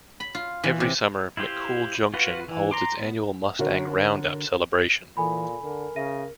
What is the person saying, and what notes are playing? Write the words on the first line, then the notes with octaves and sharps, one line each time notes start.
Every summer, McCool Junction holds its annual Mustang Roundup Celebration.
B5
F4
E3
C3
E4 F4 G4 C5
F4 F#4 B4 F#5
E3
A#5 C6 D6
B3
D3 F#4 A#4 C#5
A#2 E3 A4 G#5 B5
D3 A#4
C#3 E5 A#6 D#7